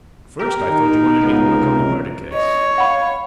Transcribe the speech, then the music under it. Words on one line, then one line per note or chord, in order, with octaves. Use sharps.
First I thought you wanted me to work on the murder case.
G4 A#4
D#3 D#4
C#2 B3
C3
C#5 D#5
F5 F#5 B5